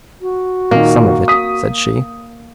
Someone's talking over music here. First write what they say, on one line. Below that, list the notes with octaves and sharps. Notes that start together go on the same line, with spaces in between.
"Some of it," said she.
F#4
A#2 D#3 A#3
D#6 B6